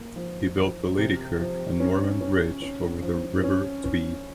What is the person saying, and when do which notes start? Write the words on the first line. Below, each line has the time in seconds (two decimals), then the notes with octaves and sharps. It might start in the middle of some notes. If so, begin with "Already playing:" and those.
He built the Ladykirk and Norham Bridge over the River Tweed.
Already playing: A#3
0.16 F3
0.57 F3
0.98 C3
1.39 F3
1.80 C#4
2.21 C#4
2.62 C#4
3.02 F3
3.43 C#4
3.84 C#4